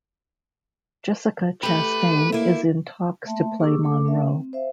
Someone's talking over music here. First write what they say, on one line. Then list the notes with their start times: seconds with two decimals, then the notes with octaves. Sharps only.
Jessica Chastain is in talks to play Monroe.
1.63 A3 G4 B4
2.32 A#3 E4
3.25 A3 A#3 E5 A5 C6
3.60 A#3 G4 G#4 C#6 D6 E6
3.83 A3 A4 D6
4.05 A3 C#4 A#4 E5
4.29 C4
4.53 C5 E5 F5